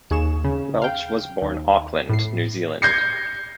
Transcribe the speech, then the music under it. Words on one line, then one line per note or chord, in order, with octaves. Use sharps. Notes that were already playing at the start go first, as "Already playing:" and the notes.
Welch was born Auckland, New Zealand.
D#2 G#4 C#6 E7
C#3
F5 G5
D#2
A2 C7
G6 G#6 A#6 C7 C#7